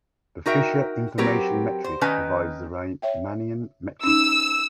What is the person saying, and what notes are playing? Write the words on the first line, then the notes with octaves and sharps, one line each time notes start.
The Fisher information metric provides the Riemannian metric.
D#4 F#4 A#4 E5 G5
F#3 C4 G4 A#4 B4
C5
D#3 C#4 D#4 B4 G#5
C#5 E5 G5
C#4 D#4 E6